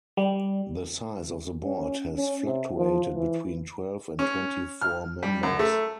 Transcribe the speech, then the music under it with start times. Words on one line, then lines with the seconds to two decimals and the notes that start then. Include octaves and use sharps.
The size of the board has fluctuated between twelve and twenty-four members.
0.17 G3
1.64 C#4
2.17 C#4
2.45 C3
2.76 F3
3.14 E3
4.19 C#4
4.81 F6
5.23 G3
5.43 F#2
5.59 A3